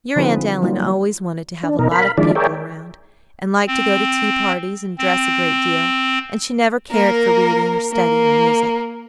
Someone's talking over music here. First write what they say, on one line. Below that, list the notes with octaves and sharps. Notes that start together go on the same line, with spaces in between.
Your Aunt Ellen always wanted to have a lot of people around, and liked to go to tea-parties and dress a great deal; and she never cared for reading or study or music.
D3 F3 C4 D#4 G#4 B4
F#3 G3 A#3 D#4 F4
D4
B2 D#4 A#4
A#4 F5 B5
D#3 F3 G#3 D4 E4 D5
G#4 A#4 C#5 D5 E5 G5
C4
C4
A#3 A#4
A#3